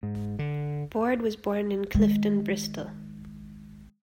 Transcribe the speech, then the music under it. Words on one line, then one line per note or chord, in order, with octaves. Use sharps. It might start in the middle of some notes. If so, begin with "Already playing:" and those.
Board was born in Clifton, Bristol.
G#2
D3
D#3 G#3